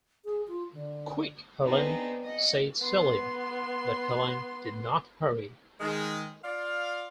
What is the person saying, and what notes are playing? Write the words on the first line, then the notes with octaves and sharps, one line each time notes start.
"Quick, Helene," said Celia. But Helene did not hurry.
G#4
F4
D3
B3 C4 D4 D#4 G#4 B4
D#5 F#5
B3 C6
D#3 G#3
F4 D5 F5